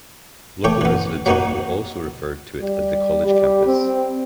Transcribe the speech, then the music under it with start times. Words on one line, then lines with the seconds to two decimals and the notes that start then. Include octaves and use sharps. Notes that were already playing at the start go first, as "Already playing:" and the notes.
Local residents have also referred to it as the college campus.
0.64 A3 A4 C#5 G5 D6
0.81 E3 B3
1.26 F#3 A#3 B3 D#4 F#4
2.62 G3
3.26 G3
3.67 C4